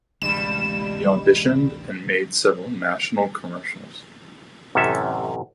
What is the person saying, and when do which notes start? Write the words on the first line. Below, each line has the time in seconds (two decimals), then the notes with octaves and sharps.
He auditioned and made several national commercials.
0.22 A1 D2 G2 C3 G3 G#3 E7
4.75 A1 F#2 C3 C#4 A4 E5